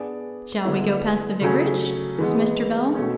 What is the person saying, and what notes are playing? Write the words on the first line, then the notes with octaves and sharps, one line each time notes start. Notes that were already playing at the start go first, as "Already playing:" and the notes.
'Shall we go past the vicarage?' asked Mr. Bell.
Already playing: B3 D4 G#4 D5
D3 G#3 B3 E4
C#3 F#3 A3 C#4 G#4
E3 G#3 B3
B2 A3 C#4